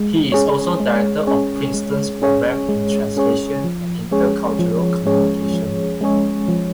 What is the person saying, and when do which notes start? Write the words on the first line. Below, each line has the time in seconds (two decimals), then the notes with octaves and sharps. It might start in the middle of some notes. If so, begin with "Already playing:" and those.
He is also director of Princeton's Program in Translation and Intercultural Communication.
Already playing: G#3
0.32 C#4 G#4 C#5
0.80 G#3
1.27 C#4 G#4 C#5
1.74 G#3
2.22 C#4 G#4 C#5
2.69 G#3
3.17 C#4 G#4 C#5
3.64 F3
4.11 G#3 C#4 G#4 C#5
4.59 F3
5.06 G#3 C#4 G#4 C#5
5.54 F3
6.01 G#3 C#4 G#4 C#5
6.48 F3